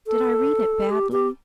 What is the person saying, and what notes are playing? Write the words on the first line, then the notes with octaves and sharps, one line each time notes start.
Did I read it badly?
A4
G4
G4